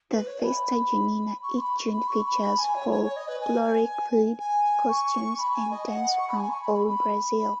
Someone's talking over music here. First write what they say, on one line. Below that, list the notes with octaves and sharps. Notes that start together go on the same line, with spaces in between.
The "Festa Junina" each June features folkloric food, costumes, and dance from old Brazil.
B4
C#5
B5
C#6
B5
B5
C#6
B5
B5
G#5
C#5
C#5
C#5
D#5
B4
G#5
G#5
C#6
B5
G#5
D#5
F#5
C#6
B5
G#5
C#6
B5
B5
B5
B5